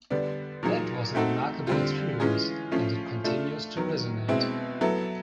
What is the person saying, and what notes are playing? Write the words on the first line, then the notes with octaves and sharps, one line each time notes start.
That was a remarkable experience-and it continues to resonate.
D3 G3 B3 D4
A#2 F#3 A#3 D#4 G#4
A3 C4 D#4 F#4 A4
D3 G3 C4 F4
E3 G#3 C#4 F4 G#4
F3 A3 C#4 F4
A3 D4 F4 A4
D#3 F#3 B3
B2 G#3 C4 E4
F#3 B3 E4 A4